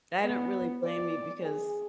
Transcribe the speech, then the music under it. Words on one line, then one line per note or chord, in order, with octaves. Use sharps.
I don't really blame you because,
B3
D5
G#4